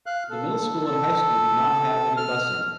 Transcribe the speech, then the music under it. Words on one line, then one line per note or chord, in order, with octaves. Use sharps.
The middle school and high school do not have any busing.
F5 F#6
A4
A4
F6